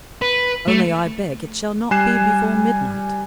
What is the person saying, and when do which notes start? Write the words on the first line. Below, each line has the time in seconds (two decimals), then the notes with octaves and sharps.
"Only I beg it shall not be before midnight."
0.22 B4
0.68 A3
1.91 G3 G#5 F#6 G#6 C7 E7